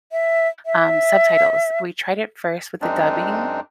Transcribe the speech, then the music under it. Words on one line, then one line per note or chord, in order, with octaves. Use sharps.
um, subtitles. We tried it first with the dubbing,
E5
E5
F#2 G#3 C4 D4 D#4